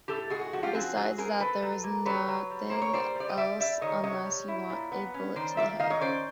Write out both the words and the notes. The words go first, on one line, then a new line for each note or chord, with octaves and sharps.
Besides that there is nothing else unless you want a bullet to the head.
A2 G4 A4
G#3 F#4 G#4
F#4
F3 F#4
F4 G4
C4 F#4 G#4
F#3 F#4 G#4
C4 G#4 A#4
A3 A4 B4
F#3
A#3
F#3 B4 C#5
F#3
G3
A#3 C5
C#5
G3 C5 D5
G3 D5
D#5
G3 D5 E5
G3 D5 E5
D#3 C#5 D#5
C3 C#5 D#5
G3
E4
A#2
B3
C#4
D#3 C5 D5
F4 D5 E5
D#3 D#5 F5
C#5 D#5
C#4 C5 D5